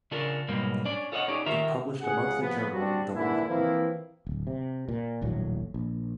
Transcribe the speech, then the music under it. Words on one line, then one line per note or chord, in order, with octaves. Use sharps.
It published a monthly journal "The Woman".
C#3 C#4 D4 F4 A#4
G#2 B2 F#3 G3 A#3
C#4 D4 D5
F4 A4 C#5 D#5 F5 F#5
C#4 D#4 G4 D5
D#3 F4 G4 A#4 E5 A#5
C#2 G#4 F#5
F3 B3
G3 C4 D4 F#4
A#2 D3 E3 E4
E3 F3 A#3 C4 E4
D1
C3
A#2
D#1 A#1 A2 F#3
A#1